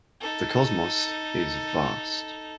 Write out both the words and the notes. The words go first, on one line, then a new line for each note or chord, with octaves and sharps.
The cosmos is vast.
D#4 A4